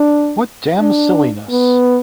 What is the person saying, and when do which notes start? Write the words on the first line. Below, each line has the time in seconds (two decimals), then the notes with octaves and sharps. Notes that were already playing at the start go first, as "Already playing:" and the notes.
What damn silliness!
Already playing: D4
0.81 D4
1.50 B3